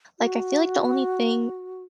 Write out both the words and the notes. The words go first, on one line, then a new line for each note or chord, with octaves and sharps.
Like I feel like the only thing
F#4